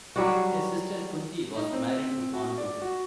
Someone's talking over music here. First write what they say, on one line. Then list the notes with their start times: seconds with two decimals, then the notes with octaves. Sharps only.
His sister Kunti was married to Pandu.
0.16 F#3 G3 F#4
1.56 D#4
1.73 C4
2.34 F#4
2.58 D5
2.82 F#4